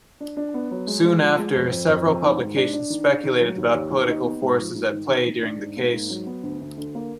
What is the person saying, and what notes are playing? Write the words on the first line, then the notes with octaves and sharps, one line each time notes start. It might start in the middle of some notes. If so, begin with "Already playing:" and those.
Soon after, several publications speculated about political forces at play during the case.
D4
D4
B3
F#3
G#3
G#3
F3
G#3
F2
F2
F2
F2
D#3
G#2
D4
D4
D#3
D4
D#3
F#3
D#2
D#2
D#2
D#4
B3
G#2
F3
G#2
D#3
D#3
D#3
D4
G#2
A#3
G#2
F#3
B3
D2
D2
D3
A#3